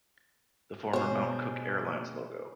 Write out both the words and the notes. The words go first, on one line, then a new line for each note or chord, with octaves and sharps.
The former Mount Cook Airlines logo.
B2 G#4 C5 C#5